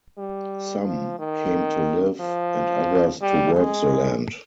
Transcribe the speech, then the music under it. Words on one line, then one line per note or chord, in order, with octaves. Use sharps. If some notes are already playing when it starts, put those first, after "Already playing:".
Some came to live and others to work the land.
G3
F3
D#3
F3
G3
G#3